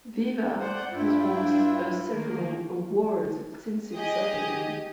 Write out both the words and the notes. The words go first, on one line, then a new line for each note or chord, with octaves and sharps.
Viva has won a several awards since its opening.
A3 C5 D5 F#5 G6
G2 D4 E4 F4 E5 G5
D#3 A#3 A#4
G4 G#4 D#5 G#5 D#6